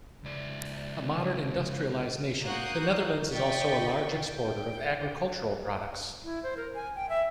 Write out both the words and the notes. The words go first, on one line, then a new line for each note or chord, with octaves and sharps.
A modern, industrialised nation, the Netherlands is also a large exporter of agricultural products.
C#2 D5
A#3 F#4 D#6 F#6 G6 C7
D5 D#5 G5 C#6 A6 B6
G5
E4
C5
A#4
G#5
G5
E5